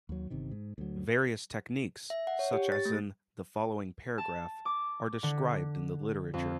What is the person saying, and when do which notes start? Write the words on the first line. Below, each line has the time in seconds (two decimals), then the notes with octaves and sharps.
Various techniques, such as in the following paragraph, are described in the literature.
0.09 D#2 F#3
0.30 G1 C3 D#3
0.51 G#2
0.78 D2 F#3
2.10 E5
2.27 F#5
2.39 C#5
2.53 G4
2.72 A6
2.85 A3
4.18 A5
4.65 D6
5.23 D3
6.34 F2